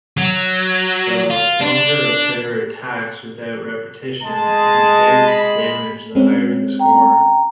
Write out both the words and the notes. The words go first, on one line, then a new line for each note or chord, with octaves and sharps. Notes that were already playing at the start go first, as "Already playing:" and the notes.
The longer a player attacks without repetition and evades damage, the higher the score.
F#3
F4
D4
G#3 A5
B5
G#3 C4 C#4
G5 A#5